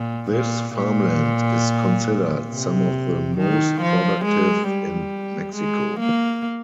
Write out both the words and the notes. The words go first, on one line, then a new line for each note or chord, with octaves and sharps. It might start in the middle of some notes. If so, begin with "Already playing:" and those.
This farmland is considered some of the most productive in Mexico.
Already playing: A#2
A#2
A#2
C3
D#3
F3
G#3
G3
G#3
A#3